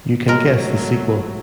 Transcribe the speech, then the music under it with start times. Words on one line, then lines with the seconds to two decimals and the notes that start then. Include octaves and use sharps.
You can guess the sequel.
0.28 F#3 G#3 A3 A#4